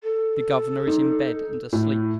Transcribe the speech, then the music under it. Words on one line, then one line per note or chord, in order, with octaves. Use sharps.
"The governor is in bed, and asleep."
A4
D#4
A2